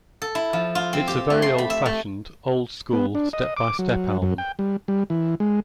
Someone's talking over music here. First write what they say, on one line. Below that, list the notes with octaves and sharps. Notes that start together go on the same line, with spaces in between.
It's a very old-fashioned, old-school, step-by-step album.
A4
E4
F3
F4
C4
G4
A3
C6
B5
E5
A3
B3
D4
D#5
D6
F#3
F#2
G5
G3
G3
E3
G#3